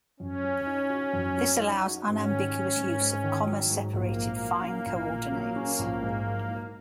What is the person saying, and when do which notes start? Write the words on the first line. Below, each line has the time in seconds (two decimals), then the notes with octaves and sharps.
This allows unambiguous use of comma-separated fine coordinates.
0.20 F#2 C#4
0.44 F#3
0.66 D#4
0.90 F#4
1.13 F#2
1.38 F#3
1.60 D#4
1.84 F#4
2.07 G#2 C#4
2.30 D#3
2.54 F#3
2.77 G#2
3.00 G#2
3.23 D#3
3.46 F#3
3.70 G#2
3.93 A#1 A#3
4.16 A#2
4.40 F#3
4.62 C#4
4.86 A#1
5.10 A#2
5.32 F#3
5.56 C#4
5.79 A#1
6.02 G#2
6.26 F#3
6.49 D#4